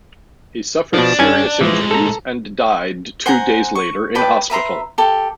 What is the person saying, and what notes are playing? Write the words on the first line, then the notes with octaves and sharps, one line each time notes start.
He suffered serious injuries and died two days later in hospital.
B2 F3 D4
G2 C#4 G#5
A2 E3 F3 G#3
A4 A#5
C5 F#5 G#5 A#5
C#6
B4 D5 G5 A5
B4 E5 A#5 C6
G4 A4